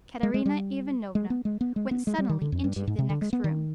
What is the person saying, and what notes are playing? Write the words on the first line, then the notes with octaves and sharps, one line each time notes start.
Katerina Ivanovna went suddenly into the next room.
G#3
G#3
G3
G#3
B3
G#3
B3
G#3
B3
G#3
G3
D#3
D3
F2
G2
G2
G#2
C3
D3
G#3
B3
D#3